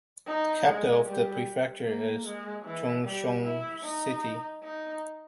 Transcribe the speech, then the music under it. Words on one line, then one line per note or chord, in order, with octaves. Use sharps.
The capital of the prefecture is Chuxiong City.
D#4
G#3
G3
A#3
G#3
E3
G3
E4
D#4
D#4